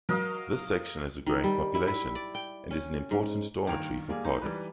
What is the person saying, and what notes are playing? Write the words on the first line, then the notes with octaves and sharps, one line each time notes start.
This section has a growing population and is an important 'dormitory' for Cardiff.
F#3 A#4 D#5 F5
D#3
G3
E4
E4
D5
G5
C#4
G#2
G2 D#3 A#3 D#4 G5 F7
G3 A#3 G#4
D#4
E3 G3 B4